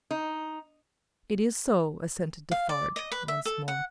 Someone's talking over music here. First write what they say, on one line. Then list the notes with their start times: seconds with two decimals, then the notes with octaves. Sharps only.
"It is so," assented Defarge once more.
0.11 D#4
2.51 F5
2.69 D5
2.96 D#5
3.12 B4
3.28 E5
3.46 A4
3.68 F#5